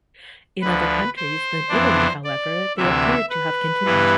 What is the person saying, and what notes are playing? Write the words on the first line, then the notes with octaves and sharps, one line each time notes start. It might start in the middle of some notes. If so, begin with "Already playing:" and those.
In other countries than Italy, however, they appear to have continued.
D2 D3 F3 B4
C5
F2 E3 B3 D4
D5
D2 C3 E3 E5
B4
G2 E3 B3